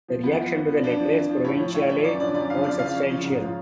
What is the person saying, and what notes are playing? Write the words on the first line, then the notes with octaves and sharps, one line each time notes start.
The reaction to the "Lettres provinciales" was substantial.
F3
F2 B3
F3
F2
F3
F2 D4
F3
F2
F3
A2 C#5
F3
A2 C#5
F3 C#5
F#2 D5
D3 F3 D5
F#2 D5
D3 F3 F5
F2 D5
C#3 F3 F5
F2 C#5
C#3 F3
G#2
F3